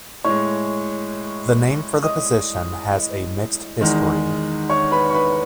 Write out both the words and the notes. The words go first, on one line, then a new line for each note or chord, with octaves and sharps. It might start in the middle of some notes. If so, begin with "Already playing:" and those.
The name for the position has a mixed history.
A2 G#3 C#5 C#6
D#5 D#6
E2 D#3 G#3
C#5 C#6
B4 B5
C#6
B4 B5